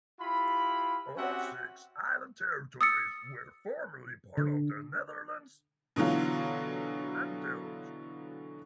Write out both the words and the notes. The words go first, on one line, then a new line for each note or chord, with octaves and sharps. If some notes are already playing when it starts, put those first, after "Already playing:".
All six island territories were formerly part of the Netherlands Antilles.
E4 F4 G4 B5
C4 C#4 F#4 G4 E5 F#5
D#6 E6 A6 C#7
D3
B2 D3 E3 F#3 F4